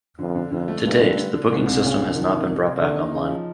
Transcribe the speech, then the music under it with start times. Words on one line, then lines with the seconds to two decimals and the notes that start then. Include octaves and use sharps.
To date the booking system has not been brought back online.
0.19 F2 D3
0.35 D3
0.51 F2 D3
0.68 A3
0.84 G2 A3
1.00 D3
1.17 D3
1.33 D3
1.50 C2 G#2
1.66 C2
1.81 A#2 C#3
1.98 C2
2.14 D#3 F3
2.30 C2
2.47 C2
2.63 C2
2.79 D3 A#3
2.96 D#4
3.12 C#3 D#4
3.29 F3